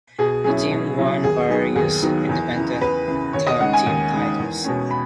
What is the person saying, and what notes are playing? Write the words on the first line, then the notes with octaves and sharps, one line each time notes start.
The team won various independent tag team titles.
B2 G#4
F#3 C#4 E4 G#4
B2
F#3 C#4 E4
D#2 G#4
D#3 F#3 B3 D#4 G#4
D#2 G#4
D#3 F#3 B3 D#4
E2
C#3 E3
E2 B4
C#3 E3
D#2 C#5
D#5
C#3 G#3 D#4 F#5
G#5
D#2
C#3 G#3 D#4
E2
B2 G#3 C#4
B5